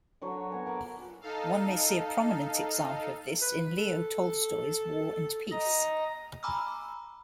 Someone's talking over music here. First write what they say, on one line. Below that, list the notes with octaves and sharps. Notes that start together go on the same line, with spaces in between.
One may see a prominent example of this in Leo Tolstoy's "War and Peace".
D3 F#3 C#5
B3 G#5
A#4 F#5 B5 D6
D#4 A4 F5
B4
A4
D#5 A#5
G#5 A#5 B5 D6 E6 F6